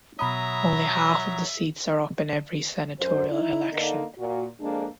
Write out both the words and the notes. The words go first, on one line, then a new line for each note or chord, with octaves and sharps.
Only half of the seats are up in every senatorial election.
B2 F#3 E5 A#5 B5 D#6
F#2 C5
D#4 E4
D3 A#3 D#4
A#2 F#4
F2 G#3 A#3 D4